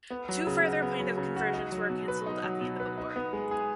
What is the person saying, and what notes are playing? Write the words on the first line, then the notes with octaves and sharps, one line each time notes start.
Two further planned conversions were canceled at the end of the war.
B3
F#3
C#3
F#4
B3
F#3
C#3
F#4
D#4
F#3
B2
B4
D#4
F#3
B2
B4
D#4
B3
G#3
G#4